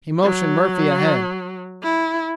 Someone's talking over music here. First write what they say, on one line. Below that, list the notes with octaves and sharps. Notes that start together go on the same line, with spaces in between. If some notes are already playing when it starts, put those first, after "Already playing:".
He motioned Murphy ahead.
F#3
E4